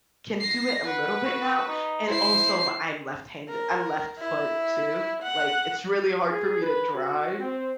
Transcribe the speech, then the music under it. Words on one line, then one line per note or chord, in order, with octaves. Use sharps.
can do it a little bit now, and also, I'm left hande I'm left foot too, like, it's really hard for me to drive.
A#6 C7
B4 F#5
F#4
D#4
E4 C5 C7
A#4
E4
F#5
G#4
B4
F#4
C4